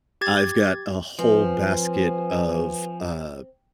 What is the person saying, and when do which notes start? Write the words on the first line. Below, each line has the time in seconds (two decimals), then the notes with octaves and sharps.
I've got a whole basket of, uh,
0.21 G4 G#6 A6
1.19 F3 C4 B4 G#5